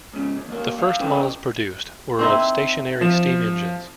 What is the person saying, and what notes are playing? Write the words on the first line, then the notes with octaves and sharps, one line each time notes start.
The first models produced were of stationary steam engines.
G#2 C#3
D#2
D2 A#3
G2 F5
C#4 E4 A4 B4 C5 G5
C4 D#4 E4
F3 E7